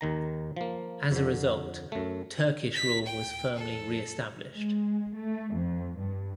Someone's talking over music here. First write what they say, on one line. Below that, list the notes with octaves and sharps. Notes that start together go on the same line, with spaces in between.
As a result, Turkish rule was firmly reestablished.
D#2 D#3 A#5
F3 A#3
F2 D3
F#2 A3
B6
G5
A4
G#3
A3
F2
G2